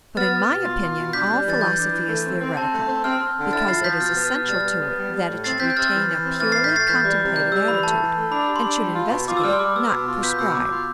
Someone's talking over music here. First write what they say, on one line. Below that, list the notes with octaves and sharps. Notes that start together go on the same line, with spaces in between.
But, in my opinion, all philosophy is theoretical, because it is essential to it that it should retain a purely contemplative attitude, and should investigate, not prescribe.
B3 F6 A6
B3
B2
F4
F4
B2
D4 G6 B6
G3
E3 A6
E3 G6
D4
E3
A3
C4
C4
C4 A5
A3
C4
C4 F6
C4
D3
E4 F6 A6
F3 A6 C7
F3 G6 B6
B2 F6 A6
B3
F6
B2
G3 F6 A6
B3
B3
G3
G3
A2
C4 A6 C7
C4 G6 B6
G6
C4 F6 A6
E3
E3
C4
E3 F6 A6
A2 A6 C7
G6 B6
A3 A6 C7
E3 G6 B6
G3
C3
G3 G6
G3 E6
E3 B5
A3 A5
E3
A3
D4 B5
G4
C6
D4
G3
F4
B2
F4 D6
E6
G3 F6
C6
G3 D6
B3 E6
B2
F4
B3 G6 B6
B2 E6
B2 D6
F4